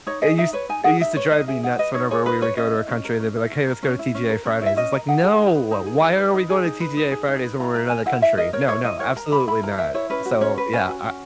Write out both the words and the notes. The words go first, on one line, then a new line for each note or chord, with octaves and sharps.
It used it used to drive me nuts whenever we would go to our country, they'd be like, "Hey. Let's go to TGI Fridays." It's like, "No. Why are we going to TGI Fridays when we're in another country? No, no. Absolutely not." So, yeah, I
D#4 C#5
G#4 D#5
D#4 E5
B4 C#5
D#4 G#5
G#4 F#5
D#4 E5
B4 C#5
D#4 D#5
G#4 E5
D#4 F#5
B4 D#5
D#4 C#5
G#4 C#5
D#4 B4
B4 C#5
C#4 D#5
E4
C#4
A#4
C#4
E4
C#4
A#4
C#4
E4
C#4
A#4
C#4 C#5
E4 E5
C#4 D#5
A#4
D#4 F#5
G#4
D#4
B4
D#4
G#4
D#4
B4
D#4
G#4
D#4
B4
D#4
G#4
D#4
B4
E4 A#5
A#4 A#5
A#4 G#5
E4 F#5
E4 E5
A#4 D#5
A#4 C#5
E4 C#5
E4 D#5
A#4 C#5
A#4 A#5
E4 B5
E4 B5
A#4 A#5
A#4 E5
E4 C#5
C#4 B4
F#4
C#4 C#5
B4
C#4 G#5
F#4
C#4